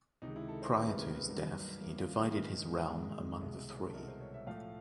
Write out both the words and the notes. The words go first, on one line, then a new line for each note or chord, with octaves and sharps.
Prior to his death, he divided his realm among the three.
C#2 C3 D#3 G#3 D#4
E4
A4
C5
C#2 C3 D#3 G#3 B4
A#4
A#4
B4
G2 D#3 F#3 A#3 A#4
B4
A#4
G2 D#3 F#3 A#3 E4
F4
G#4
G#2 D#3 G#3 A#4
G#2 D#3 G#3
C2 B2 G#3
A4
C2 B2 G#3 A#4
C5
C#5
E5
A2 F3 A3 F5